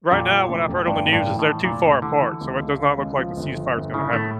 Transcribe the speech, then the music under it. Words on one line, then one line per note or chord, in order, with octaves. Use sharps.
right now, what I've heard on the news is they're too far apart, so it does not look like the ceasefire is gonna happen.
F2 A#2
F3
F1
F2
A1 G2
A2
G2
E3
A2
E3
F1 A#2
F1
D3 E3
E3
C#2
C#2
C#3
C#2
F3
G1
F3
G1
C#3 E4
A2 A3